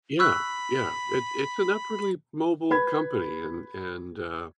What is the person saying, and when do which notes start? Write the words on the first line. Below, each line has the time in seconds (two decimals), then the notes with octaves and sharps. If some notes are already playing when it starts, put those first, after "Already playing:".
Yeah, yeah, it it's an upwardly mobile company, and and, uh,
0.19 B5 C#6 E6 F#6
2.70 B4 B5 G#6